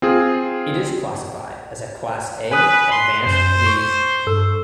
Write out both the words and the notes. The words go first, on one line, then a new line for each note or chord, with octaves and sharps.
It is classified as a Class A-Advanced league.
C4 F4 G#4
B4 G#5 D#6 F#6
C6
F#2 C5
C#6
G2 A4 E6